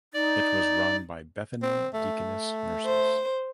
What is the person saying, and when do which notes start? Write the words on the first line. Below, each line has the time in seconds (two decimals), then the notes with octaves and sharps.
It was run by Bethany Deaconess nurses.
0.14 D#4 D5
1.63 C4
1.94 A3
2.84 C5